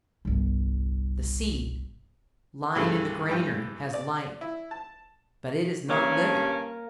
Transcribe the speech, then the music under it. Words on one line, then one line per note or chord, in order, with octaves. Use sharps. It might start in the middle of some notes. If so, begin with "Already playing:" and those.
The seed, lying in the granary, has life, but it is not living.
G1 C2
C2 G2 C#3 E3 A3
G2 E3 G5
D5
E4
A5
G2 A#3 C#4 A#4